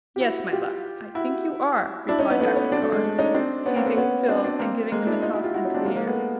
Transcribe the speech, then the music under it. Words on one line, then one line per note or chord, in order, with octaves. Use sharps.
"Yes, my love, I think you are," replied Dr. Carr, seizing Phil and giving him a toss into the air.
G4
E4 F#4
F4 G4
E4 F#4
D4 E4
C#4 D#4
B3 C#4
A3 B3
B3 C#4
C4 D4
A3
G#3
A3
C#4 D#4
C4 D4
B3 C#4
A#3 C4
A3 B3
B3 C#4
C4 D4
C4 D4
A#3 C4
G#3 A#3
D4 E4
D#4 F4
E4 F#4
F4 G4
E4 F#4
C#4 D#4
C4 D4
G#3 A#3
G#3 A#3
A3 B3